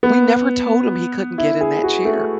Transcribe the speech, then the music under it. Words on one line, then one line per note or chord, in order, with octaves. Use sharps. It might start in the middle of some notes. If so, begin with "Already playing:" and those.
we never told him he couldn't get in that chair.
B3
E4
G#4
F#4
A3